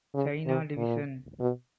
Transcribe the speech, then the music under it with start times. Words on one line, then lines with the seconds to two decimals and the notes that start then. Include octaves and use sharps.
China division.
0.14 C#3
0.46 C3
0.77 A#2
1.40 B2